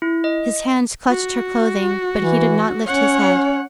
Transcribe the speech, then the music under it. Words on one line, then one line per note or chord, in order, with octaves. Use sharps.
His hands clutched her clothing, but he did not lift his head.
E4
D#5
F#4
E3
C#4 C#5 F#5